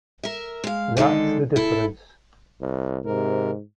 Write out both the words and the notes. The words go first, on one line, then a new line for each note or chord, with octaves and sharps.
That's the difference.
A#4 E5
G#3 F5
D3 D#3 G#3 A4
E4 A4
C2
G#2 C3 A#4